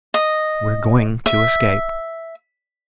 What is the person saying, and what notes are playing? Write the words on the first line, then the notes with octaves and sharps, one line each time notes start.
"We're going to escape!"
D#5
E5